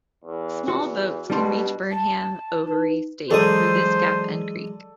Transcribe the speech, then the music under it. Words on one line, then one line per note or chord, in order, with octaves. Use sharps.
Small boats can reach Burnham Overy Staithe through this gap and creek.
E2
E2 F#4
B2 G3 D4 C6
A5
D#4 B4
E3 F#3 G#3 A4 C5 D5 E5 D#6